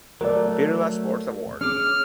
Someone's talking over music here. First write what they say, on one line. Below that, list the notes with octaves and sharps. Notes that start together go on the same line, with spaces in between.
Birla sports award.
F#3 A3 A4 A#4 D5
C#4 G#4 D6 F6